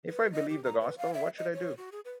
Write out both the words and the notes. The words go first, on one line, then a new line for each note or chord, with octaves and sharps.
If I believe the gospel, what should I do?
B4
D#5
G4
A#5
B4
F5
E5
D#5
C#5
F#4
G#4
B4